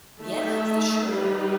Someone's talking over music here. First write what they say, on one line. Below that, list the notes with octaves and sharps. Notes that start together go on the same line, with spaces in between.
Yeah, for sure.
A3 D#4 A4 E5
G3 D#4 G4 B4